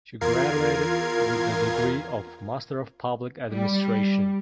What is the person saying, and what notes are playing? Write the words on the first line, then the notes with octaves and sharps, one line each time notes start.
She graduated with the degree of Master of Public Administration.
E2 F4 A#4 G#6 C7
G3